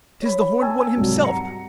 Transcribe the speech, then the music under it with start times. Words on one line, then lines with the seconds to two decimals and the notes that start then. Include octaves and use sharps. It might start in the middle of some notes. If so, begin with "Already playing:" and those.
'Tis the Horned One himself!
0.22 C#5 B5
0.62 G#5 A5 E6
0.96 C2 G#2 F#3
1.21 F#5 A#5 C#7